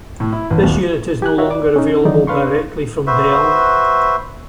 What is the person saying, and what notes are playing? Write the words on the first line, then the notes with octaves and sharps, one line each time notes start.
This unit is no longer available directly from Dell.
A2
E4
A1
D#1
G4 G#5 F#6
D#4 F4 F#4 C#5 E5
D5 D6
C#4 D#4
D#3 E3 F#3 D#4 D5
D4 B4 F5 C6 C#6
F#4 B4 C5 E5